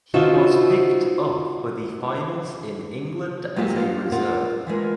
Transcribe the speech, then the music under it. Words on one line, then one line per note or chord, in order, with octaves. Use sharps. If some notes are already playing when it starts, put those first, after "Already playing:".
He was picked up for the finals in England as a reserve.
D4 D#4 F4 F#4 C5 E5
F#3 G#3 A#3 F4 G4 A4
F3 F4
F4 A#4 C5 F#5
E3 F3 G#3 A#4